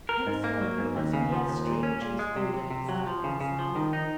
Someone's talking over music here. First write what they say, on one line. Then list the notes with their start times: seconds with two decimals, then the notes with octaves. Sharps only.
Henceforth we must be as strangers though living side by side.
0.09 A#4
0.27 G#2
0.44 A#3
0.61 F#3
0.78 G#2
0.97 D#2
1.13 C#3
1.32 F3
1.48 D#2
1.67 A#2
1.83 C#4
2.01 A#2
2.19 G#3
2.36 C3
2.54 C3
2.71 C3
2.89 F#3
3.07 F3
3.24 C#3
3.41 C#3
3.59 F3
3.76 D#3
3.93 D#4